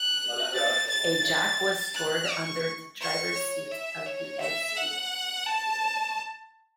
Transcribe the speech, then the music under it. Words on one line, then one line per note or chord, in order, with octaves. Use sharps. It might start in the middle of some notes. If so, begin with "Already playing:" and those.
A jack was stored under the driver's seat of the xB.
Already playing: F#6
A6
A6
F#6
C#6
C#6
C#5
E5
C#5
E5
F#5
A5